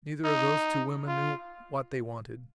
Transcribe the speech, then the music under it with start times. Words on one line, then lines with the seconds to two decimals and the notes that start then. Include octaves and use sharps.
Neither of those two women knew what they wanted.
0.25 D#4
1.08 F4